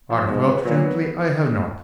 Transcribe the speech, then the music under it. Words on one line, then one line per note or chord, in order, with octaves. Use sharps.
"Unfortunately, I have not."
F3
G#2 B2
B3
A#2 F#3
B3